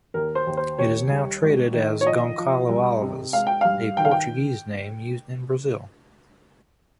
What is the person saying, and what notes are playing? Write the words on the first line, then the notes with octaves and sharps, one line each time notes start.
It is now traded as goncalo alves, a Portuguese name used in Brazil.
D#2 A#4
C5
D#2
C5
D#2 C#5
G3
G#1
D#3
C#5
F3 D#5
F3
C2
C3
G#3 F5
G5
G2 F5
D#3 G5
F5
G5